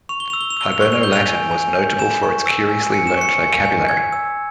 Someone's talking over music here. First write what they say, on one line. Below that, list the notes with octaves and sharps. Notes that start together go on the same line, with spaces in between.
Hiberno-Latin was notable for its curiously learned vocabulary.
C#6 F7
G7
E6 F7
G7
F7
E6 G7
F7
C#6 G7
F7
G6 G7
F7
G#5
G#5
G6
G#5 E7
C#6
E6
G#5
G#5 C#7
E7
C#6 C#7
G#5
G#5
G#5 G#6
E6